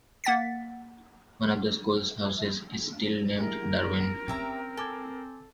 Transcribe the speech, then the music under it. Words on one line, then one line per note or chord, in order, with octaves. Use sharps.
One of the school's houses is still named Darwin.
A#3 F#5 A6 B6
E4 G4 G#4 A#4
C4 C#4 G4 E5 A#5
A4 G#5 D6 G#6